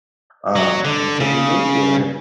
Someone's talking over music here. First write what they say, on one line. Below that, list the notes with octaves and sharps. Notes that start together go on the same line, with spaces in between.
um, and so we went there,
F#3
D3
C#3